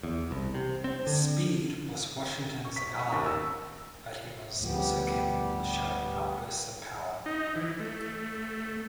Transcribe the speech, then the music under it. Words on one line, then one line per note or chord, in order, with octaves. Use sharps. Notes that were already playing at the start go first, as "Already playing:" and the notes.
Speed was Washington's ally, but he was also capable of showing outbursts of power.
E2
C2
C3
C4
D3
C#6
B6
C#6
D#2
E6
D2 A2 F3 G3 B3 G4
D#4
E3
A3